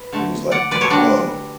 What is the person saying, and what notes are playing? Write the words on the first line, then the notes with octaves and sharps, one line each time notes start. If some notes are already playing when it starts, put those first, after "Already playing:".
It was like, 'Whoa!
Already playing: B4
D3 A3
D5 F#5
B4 D5
A4 C#5
D3 G3 D4 F#4